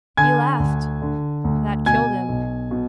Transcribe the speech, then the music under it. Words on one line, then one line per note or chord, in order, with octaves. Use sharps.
"He laughed; that killed him."
D3 G#5 G#6
D2
D3
D2
B2 G#5 G#6
B1
B2